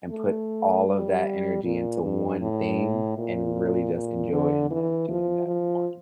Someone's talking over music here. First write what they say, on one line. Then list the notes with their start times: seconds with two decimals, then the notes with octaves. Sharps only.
and put all of that energy into one thing and really just enjoy and love doing that one
0.11 A3
0.87 G3
1.64 A#2
2.02 G2
2.41 A2
3.18 A#2
3.94 A#2
4.32 D3
4.71 E3
5.09 F3
5.47 F3